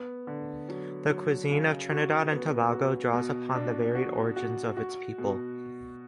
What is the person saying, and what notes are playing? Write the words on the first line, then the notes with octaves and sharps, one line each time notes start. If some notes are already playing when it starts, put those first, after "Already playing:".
The cuisine of Trinidad and Tobago draws upon the varied origins of its people.
Already playing: B3
D3
F#3
F#3
C#3
F#4
B3
F#4
B2
D4
F#4
F#4
F#4
B2